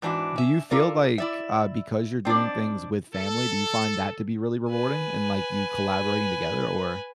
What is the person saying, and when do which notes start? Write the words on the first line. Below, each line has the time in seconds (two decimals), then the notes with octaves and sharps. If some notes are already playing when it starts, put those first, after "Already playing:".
do you feel like, uh, because you're doing things with family, do you find that to be really rewarding and, like, you collaborating together? Or
0.02 G#2 E3 D4 E4 F#4
0.36 C#4 E5
0.71 F4 A4 A#4 D5
1.18 E4 D5 E5
2.25 C4 D4 D#4 D5
3.14 A4
4.70 B4 G#5